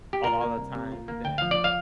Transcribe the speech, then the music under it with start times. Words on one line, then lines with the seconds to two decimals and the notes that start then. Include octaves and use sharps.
a lotta the times, and
0.13 G4
0.24 F4 A#4
0.41 A#3
0.57 C2
0.75 C3
0.92 F4
1.08 A#3
1.24 D2 G5
1.38 F3 F5
1.51 D5
1.64 F5